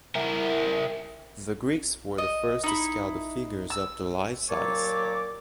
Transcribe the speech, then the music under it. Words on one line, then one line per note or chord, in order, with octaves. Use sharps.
The Greeks were the first to scale the figures up to life size.
E4 A#4
D#5
D#4 E4
E6
D#2 A#2 F#3 C#5 A5 D6